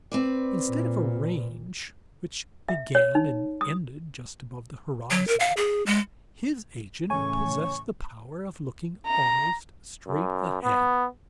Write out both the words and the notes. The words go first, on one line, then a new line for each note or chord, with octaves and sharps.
Instead of a range which began and ended just above the horizon, his agent possessed the power of looking almost straight ahead.
C4 B4 D5
A#2
E5
C#5
D#4
D#6
F#3
A#4
F5
G#4
G#3
A2 C#3 E3 A3 C#4 C#5 G#5 C#6
A#5
F#2
B3